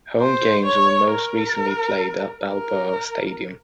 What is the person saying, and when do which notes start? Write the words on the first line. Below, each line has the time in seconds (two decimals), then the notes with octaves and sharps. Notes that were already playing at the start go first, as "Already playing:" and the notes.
Home games were most recently played at Balboa Stadium.
0.20 C5
0.65 C#5
1.11 A#4
2.49 A#4